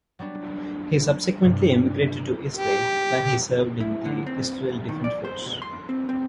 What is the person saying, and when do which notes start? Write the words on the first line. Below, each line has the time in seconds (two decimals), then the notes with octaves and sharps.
He subsequently emigrated to Israel, where he served in the Israel Defense Forces.
0.19 F#3 G3 B3 D4
1.41 G2 C3 G3
2.55 G4
3.80 E4
4.05 D3
4.26 C4
4.69 C2
4.89 D#3
5.04 D5
5.25 C5
5.46 B2
5.62 C6
5.89 C4
6.09 C4